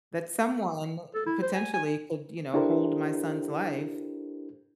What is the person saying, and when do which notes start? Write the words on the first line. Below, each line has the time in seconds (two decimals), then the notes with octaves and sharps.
that someone, potentially, could, you know, hold my son's life,
1.15 A4
1.27 E4
1.42 C5
1.54 G#5
1.74 G#5
2.54 D4 E4 G4 A4 A#4 C5